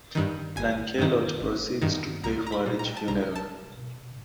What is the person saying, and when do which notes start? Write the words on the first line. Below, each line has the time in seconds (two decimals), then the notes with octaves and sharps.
Lancelot proceeds to pay for a rich funeral.
0.15 G2 D#3
0.56 G1 G#5
0.99 G2 D#3
1.40 G1
1.82 G2 D#3
2.23 C2 A#5
2.47 A#5
2.52 B5
2.66 A#2 G3
2.79 A#5
2.97 A5
3.08 C2 A#5
3.35 A5